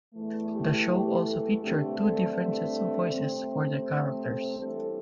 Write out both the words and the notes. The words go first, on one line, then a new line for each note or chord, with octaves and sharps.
The show also featured two different sets of voices for the characters.
E2 E3 A3
G4
G4
A4
G2 D3 A3 C4 G4
A4
C3 A3 C4
C5
G2 E3 G3 A4